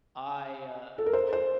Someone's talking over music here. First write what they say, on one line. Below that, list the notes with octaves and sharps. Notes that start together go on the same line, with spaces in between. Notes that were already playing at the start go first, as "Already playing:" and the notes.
I, uh,
A4
A#4
C5
C5